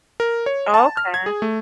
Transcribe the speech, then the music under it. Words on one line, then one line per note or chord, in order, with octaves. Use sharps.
Oh, okay.
A#4
C#5
A5
F6
G#6
G#4
A3